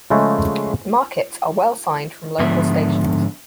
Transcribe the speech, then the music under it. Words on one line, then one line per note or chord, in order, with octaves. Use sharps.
The markets are well signed from local stations.
C#3 F3 G#3 A3
G#2 D3 F3 B3 E5